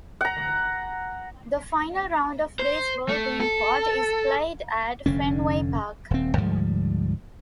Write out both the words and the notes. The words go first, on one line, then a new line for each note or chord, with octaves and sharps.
The final round of the baseball Beanpot is played at Fenway Park.
F#5 A#5
C5
A3
A4
F1 D3 C#4
D#1 C4
D2 G#2 F3 G3